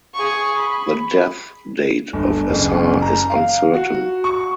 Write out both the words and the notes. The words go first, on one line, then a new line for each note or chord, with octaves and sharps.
The death date of Assar is uncertain.
G#4 C#6
B5
G1
F#1
A#5
F5
F#4
C#6